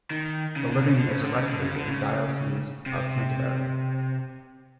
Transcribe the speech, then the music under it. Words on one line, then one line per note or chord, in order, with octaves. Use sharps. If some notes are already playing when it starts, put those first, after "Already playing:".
The living is a rectory in the diocese of Canterbury.
D#3
C#3
D3
C#3
D3
C#3
D3
C#3
D3
C#3
D3
C#3
C3